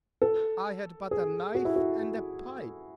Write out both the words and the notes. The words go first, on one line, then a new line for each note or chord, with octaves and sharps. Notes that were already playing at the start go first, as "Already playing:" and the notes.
I had but a knife and a pipe.
A4
G#4
F#4
E4
F#4